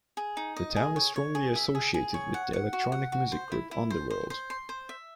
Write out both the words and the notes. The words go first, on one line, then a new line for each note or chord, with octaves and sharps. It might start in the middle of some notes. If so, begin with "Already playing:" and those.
The town is strongly associated with the electronic music group Underworld.
G#4
D#4
D#5
G#4
C#5
C#5
G#4
E5
G#4
G#4
C#5
F#5
F#5
F#4
F#5
F#4
C5
E4
E4
C5
C5
C5
C6
C5
E5